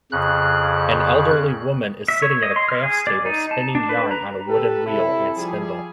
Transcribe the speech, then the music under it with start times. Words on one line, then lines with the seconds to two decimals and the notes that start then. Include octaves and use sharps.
An elderly woman is sitting at a crafts table spinning yarn on a wooden wheel and spindle.
0.12 F2 C#3 F#6
2.08 E5
2.22 C#5
2.42 D#5
2.56 C6
2.69 F6
2.83 G#4
3.07 D5
3.26 D#4
3.51 A5
3.75 D4
3.89 B4
4.11 A#5
4.47 G4 A4 B4
4.85 C3 E4 A4
5.36 F3 G3 G#4